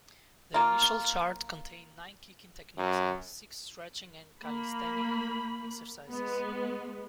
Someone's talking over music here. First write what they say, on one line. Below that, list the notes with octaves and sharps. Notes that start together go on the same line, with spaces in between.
The initial chart contained nine kicking techniques and six stretching and calisthenic exercises.
A#3 F4
F#2
A#3 B5
G#3 B3